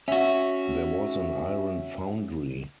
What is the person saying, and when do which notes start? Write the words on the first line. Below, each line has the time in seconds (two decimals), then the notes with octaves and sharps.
There was an iron foundry.
0.08 C#4 F#4 E5